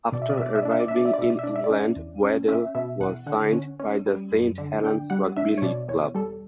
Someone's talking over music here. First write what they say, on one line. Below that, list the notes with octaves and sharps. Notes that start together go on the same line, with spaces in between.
After arriving in England Waddell was signed by the St Helens Rugby League Club.
B2 D5
E5
D5
B2 E5
D5
E5
D4 D5
E5
D5
D4 E5
D5
E5
D5
B2 E5
D5
E5
D4 D5
E5
D5
C#4
E2
C#4
C#4 E5
B2 E5
E2 F#5
D3 F#5
C#4
C#4
G3
F#2
D3
D4 G5
G3 F#5
D4 E5
C#5
B2 D5
E2 C#5
G3 A4